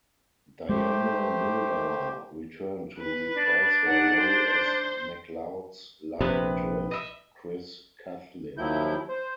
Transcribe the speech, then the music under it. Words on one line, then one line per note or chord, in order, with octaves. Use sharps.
Diana Muldaur returned to reprise her role as McCloud's love interest, Chris Coughlin.
G#3 A3 G4 C5
B4
D4
D#4 F#5
C5
A#1 C3 B3 B4 F#6
D#5 E5
D#2 D#3 F3 F#3 E4 G6
C5